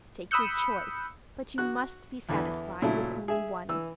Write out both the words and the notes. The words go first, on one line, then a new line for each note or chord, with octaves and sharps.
Take your choice, but you must be satisfied with only one.
B5 D#6 E6 F#6 G6 C#7
F#4 F#6
E2 D3 E3
A#2 C#3 F#3 A3 E4
G#4 E5
E3 E6